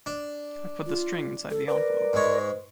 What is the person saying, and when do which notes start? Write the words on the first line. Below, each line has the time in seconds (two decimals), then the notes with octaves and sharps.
I've put the string inside the envelope.
0.06 D4
0.87 F4
1.50 A4
1.68 A#4 B4 D5
2.13 G#2 G#3 C#5